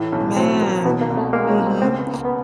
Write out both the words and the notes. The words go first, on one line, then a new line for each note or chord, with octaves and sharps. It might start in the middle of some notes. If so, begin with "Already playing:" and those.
Man, mhm.
Already playing: A2 E3
B1 C#4
F#3 C4
A#3
B2 B3
A#3
C2
A3
G#3 A#3
C#4
C2
C4
C#3 C4
B3
C#2
A#3
B3